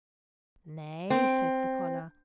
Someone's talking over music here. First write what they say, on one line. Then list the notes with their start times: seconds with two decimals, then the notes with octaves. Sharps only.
"Nay!" said the collar.
1.10 C4